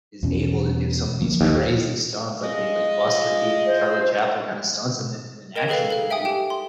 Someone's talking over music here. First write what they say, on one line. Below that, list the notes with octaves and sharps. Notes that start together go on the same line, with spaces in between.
is able to do some of these crazy stunts, like, these, like, Buster Keaton and Charlie Chaplin kinda stunts in an action movie
E2 B2 C#4
D2 F3 A#3
D#2
G#3 F4 D#5
C5
A#4 D#5 G5 G#6
G#4 A4 B4 F5 F#7
A4 F5
E5 G5 G#5 D#6
G4 G5
C6